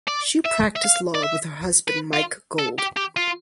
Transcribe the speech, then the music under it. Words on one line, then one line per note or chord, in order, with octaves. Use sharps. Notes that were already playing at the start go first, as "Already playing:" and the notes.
She practiced law with her husband Mike Gold.
D5
E5
E5
F5
D5
E5
B4
F4
A4
G4
G4
F4